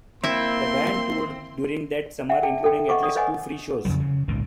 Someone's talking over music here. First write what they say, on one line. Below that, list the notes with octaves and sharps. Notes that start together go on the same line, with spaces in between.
The band toured during that summer, including at least two free shows.
A#3 C4 E4 E5 C6
E5 F#5 G5
G#4 D5 G5 A5
A4 C#5 G5
D#5 F#5 C#6 D6
D5 D#6
B4 C#5 D#5 F#5 G#5
F2 C#3 F3 F#3
C#3
G#1 C#2 A#2 D#3